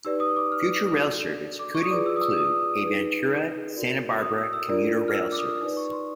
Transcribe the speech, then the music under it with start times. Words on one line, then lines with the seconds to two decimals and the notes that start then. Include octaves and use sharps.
Future rail service could include a Ventura-Santa Barbara commuter rail service.
0.05 D#4 G4 B4 D5 E6
0.20 D#6
0.36 D6
0.52 F6
0.98 D4 F#4 A4 D5
1.59 D6
1.75 C#6
1.83 D#6
1.91 F4 G#4 B4 D5 D6
2.06 E6
2.16 D#6
2.21 E6
2.37 D#6
2.84 D#4 G#4 B4
3.76 F#4 A#4 D5
4.22 D#6
4.38 E6
4.53 E6
4.69 D4 F4 A#4 D5
5.08 F6
5.15 E6
5.32 D6
5.38 D#6
5.61 D#4 G4 B4 D5
5.77 C#6
5.92 C6